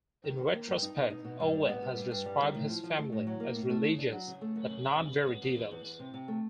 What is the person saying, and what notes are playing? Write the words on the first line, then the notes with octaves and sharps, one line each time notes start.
In retrospect, Ouellet has described his family as religious but not very devout.
D#3
D#3
A#3
G2
D#4
B2
D#4
B2
G2
G3
B3
G3
G2
G2
G3
D#3
A2
F3
F3
A3
A2
F#3
A#3
A2
A3
C#3
D4
F#3
C#3
A3
F#2
C#3
C#3
C#3
C#3
B3
E2
E2
E2
E2
C3
C3
A3